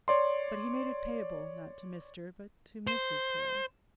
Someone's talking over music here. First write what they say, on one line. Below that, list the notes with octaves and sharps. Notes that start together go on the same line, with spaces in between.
But he made it payable, not to Mr. but to Mrs. Carroll.
C#5 D5 C6
C5